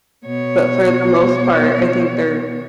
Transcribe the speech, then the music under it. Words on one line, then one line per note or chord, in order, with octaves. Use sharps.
But for the most part, I think they're
B2 C#5